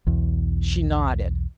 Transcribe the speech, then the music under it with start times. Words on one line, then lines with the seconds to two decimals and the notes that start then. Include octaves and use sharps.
She nodded.
0.07 B1 E2